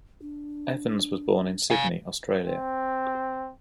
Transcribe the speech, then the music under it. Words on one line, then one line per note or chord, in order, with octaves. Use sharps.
Evans was born in Sydney, Australia.
D4
F5 G#5
C4